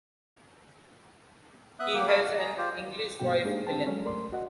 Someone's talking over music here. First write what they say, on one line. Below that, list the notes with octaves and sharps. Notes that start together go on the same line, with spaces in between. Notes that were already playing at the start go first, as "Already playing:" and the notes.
He has an English wife, Helen.
B3 E5 D#6 F#6
A#3 G4 F#5
A#4 C#5 D#5 F5 A5 B5
F#5
G#4 A#5
F4 G4 C5
G2 B2 A#3 F#4 G5
G#3 A#3 D4 D#4 G4 G#4
C4 D4 G4 C5 G5 A5
F#3 G#3 C#4 A4
A3 A#4 D5 C6
F#4 D#5 F#5